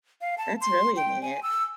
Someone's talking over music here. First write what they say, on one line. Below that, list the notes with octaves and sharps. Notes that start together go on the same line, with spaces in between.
That's really neat.
F5
A5
C6
G5
G#5
E6